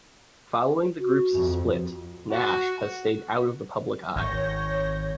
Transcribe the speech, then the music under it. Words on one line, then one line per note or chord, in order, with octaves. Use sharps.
Following the group's split, Nash has stayed out of the public eye.
F#4
F2
F#4
G#1 C#5 G6 A#6